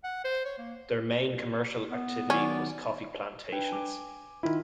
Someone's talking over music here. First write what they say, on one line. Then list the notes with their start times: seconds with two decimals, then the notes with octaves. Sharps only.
Their main commercial activity was coffee plantations.
0.04 F#5
0.24 C5
0.45 C#5
0.58 A#3
1.91 B3
2.30 D#3 F#3 C#4 D5
3.52 D4 B4 G5
3.68 G#5 D6
4.43 D#3 E4 F4 A#4